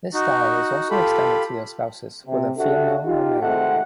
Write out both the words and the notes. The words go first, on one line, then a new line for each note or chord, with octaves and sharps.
This style is also extended to their spouses, whether female or male.
D#4 F#4
F4 G4 A4 B5
C3
D4 F#4 G4 A4 D5 E5
D#4 F4 G4
G#1 G#2 C3 A3 F#5